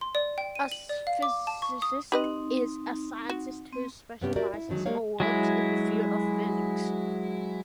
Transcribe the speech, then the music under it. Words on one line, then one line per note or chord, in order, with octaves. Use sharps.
A physicist is a scientist who specializes or works in the field of physics.
C6
D5
G5
D#7
F#7
D5
F5
D6
A5
C#6
D#6
C4 D#4 G4 B4 D#5
F#4
C4
G2 C3 B3 C#4 G4
F#4 G4 A#4 D5 E5
E4
D3 D#3 F#3 G#3
G3 G#3 A#3 C#5 F5
F#3 G#3 E4